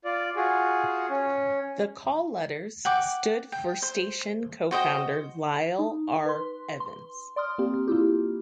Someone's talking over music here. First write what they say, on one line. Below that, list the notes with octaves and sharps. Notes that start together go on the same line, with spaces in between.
The call letters stood for station co-founder Lyle R. Evans.
F4 D5
F4 F#4 G#4
C#4
F#5 G5 D6
G5
C5
F#4 C5 D#5 G5
D#4
B4 C6
C6
D5 C6 D#6 F6
A#3 C4 G4
A#3 E4 F4 G4